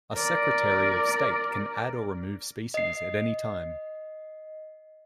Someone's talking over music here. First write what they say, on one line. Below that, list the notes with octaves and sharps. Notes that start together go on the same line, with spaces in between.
A secretary of state can add or remove species at any time.
A#4 D5
D#5 C7